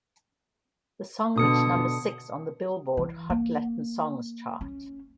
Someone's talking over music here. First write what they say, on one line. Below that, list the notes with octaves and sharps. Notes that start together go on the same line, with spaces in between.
The song reached number six on the "Billboard" Hot Latin Songs chart.
B2 D3 D4 D#6 C#7
E3
A#3
C#4